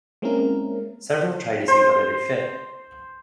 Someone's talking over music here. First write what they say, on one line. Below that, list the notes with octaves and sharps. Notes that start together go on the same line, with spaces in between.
Several tried to see whether they fit.
G#3 A#3 C4 C#4 E4 A#4
C5 C6